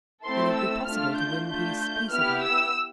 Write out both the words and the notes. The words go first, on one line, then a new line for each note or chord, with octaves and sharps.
Will it be possible to win peace peaceably?
A3 C4 E4 A4 C6
E6
A3 D4 F4 A4 F6
G6
A3 D4 F4 G6
G6
B3 E4 G4 F6
E6